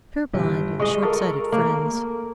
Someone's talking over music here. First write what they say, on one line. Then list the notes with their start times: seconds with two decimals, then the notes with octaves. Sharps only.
Purblind and short-sighted friends!
0.33 G1
0.79 G#3 D#5 C#6
1.02 A4 A#4 C#6
1.52 A#3